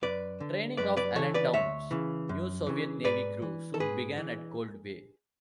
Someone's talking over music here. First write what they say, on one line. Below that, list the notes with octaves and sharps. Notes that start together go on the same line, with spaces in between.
Training of "Allentown"s new Soviet Navy crew soon began at Cold Bay.
F#2 B4 D5
D3
F#2 B4 D5
B4 D5
C#3 E3 A4 C#5
B4 D5
D2 C#5 E5
C#3 E3
F#2
C#3 E3
G#2 B4 D5
E3
A4
G#2 G#4 B4
E3